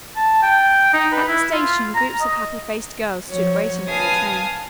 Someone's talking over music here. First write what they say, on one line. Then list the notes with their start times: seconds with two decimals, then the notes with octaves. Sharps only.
At the station groups of happy-faced girls stood waiting for the train.
0.16 A5
0.43 G5
0.93 D#4
1.12 B4
1.28 E4
1.53 F4
1.95 A#5
2.21 D#5
3.29 F3 F#3 C#5
3.87 B4 F5 G#5 A5 D#6